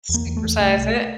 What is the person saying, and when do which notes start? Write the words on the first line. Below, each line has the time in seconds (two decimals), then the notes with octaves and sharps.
Supersize it.
0.09 E2 A#3
0.26 E2
0.37 A3
0.44 E2
0.60 C2 A3
0.77 C2